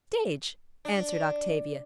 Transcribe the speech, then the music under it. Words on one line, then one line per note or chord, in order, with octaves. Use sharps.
"Stage," answered Octavia.
D4